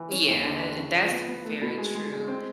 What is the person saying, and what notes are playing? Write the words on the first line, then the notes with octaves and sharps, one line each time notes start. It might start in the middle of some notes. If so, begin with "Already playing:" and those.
Yeah. And and that's very true.
Already playing: E3
C#4
D#2
D3
D4
C#3
F3
B3
B3
A3
B2
G#3
G#3
G#3
C4